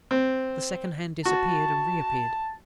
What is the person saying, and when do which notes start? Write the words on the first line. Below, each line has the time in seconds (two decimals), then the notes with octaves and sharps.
The second hand disappeared--and reappeared.
0.11 C4
1.25 F#4 A5